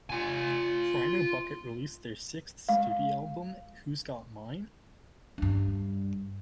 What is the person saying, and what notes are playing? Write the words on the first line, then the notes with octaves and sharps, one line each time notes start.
Rhino Bucket released their sixth studio album Who's Got Mine?
F4 G#5
G#3 F5
G2 D4